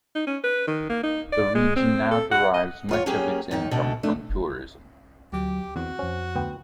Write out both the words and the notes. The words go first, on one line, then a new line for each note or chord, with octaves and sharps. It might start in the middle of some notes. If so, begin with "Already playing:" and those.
The region now derives much of its income from tourism.
D#4
C#4
B4
D#3
A#3
D#4
D5
G#3
C4
A4
F#5
D#5
E2 F4 C#5
F#3 A#3 C#4 G4 G#4
F#2 D#3 D#4
D2 B2 A3 D4
F2 A3 D4
D2 F#3 G4 D6
E2 C4 F#4
F2 C#4 C5
D2 B3 G5